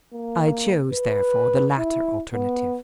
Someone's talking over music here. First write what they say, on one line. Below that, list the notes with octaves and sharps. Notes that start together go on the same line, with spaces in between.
I chose, therefore, the latter alternative.
A#3
B4
E4
B3